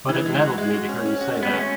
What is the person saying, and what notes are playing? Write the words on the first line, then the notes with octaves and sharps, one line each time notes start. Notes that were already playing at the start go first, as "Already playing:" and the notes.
But it nettled me to hear you say that.
E3
G#3
F#4
G#3
F#4
C#4
C#4
F#4
G#3
B3
A3 C#4